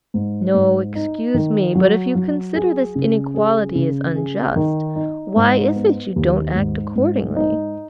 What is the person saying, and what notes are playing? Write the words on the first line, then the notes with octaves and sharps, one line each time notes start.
"No, excuse me, but if you consider this inequality is unjust, why is it you don't act accordingly?..."
G#2
G#2
D#4
D#3
F#3
F#3
G#4
C#3
G#4
C#3
G#4
D#3
D#4
G#2
B3
D#2
G#2
G#2
D#4